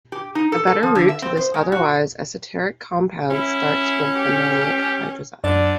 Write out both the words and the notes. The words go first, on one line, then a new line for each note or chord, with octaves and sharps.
A better route to this otherwise esoteric compound starts with the maleic hydrazide.
G4
D#4
A4
A4
F3
D3
E5
C4
C5
G#3
F#4
C#4 E4
G4
F#2 D3 D4 D5